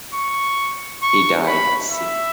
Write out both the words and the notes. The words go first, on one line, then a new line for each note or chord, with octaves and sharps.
He died "c".
C#6
C#6
B5
E5